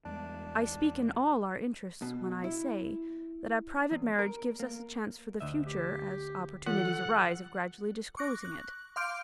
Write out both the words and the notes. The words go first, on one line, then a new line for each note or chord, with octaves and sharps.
I speak in all our interests, when I say that a private marriage gives us a chance for the future, as opportunities arise of gradually disclosing it.
E2 G3 G#3 D4
B2
E4
E2
A#4
A#3
D2 A3 D#5 E5
G4
E3 F4 A4 F#5
C#6 D6 F#6 A#6
F#6
F5 C6 D6 F6 G6 D7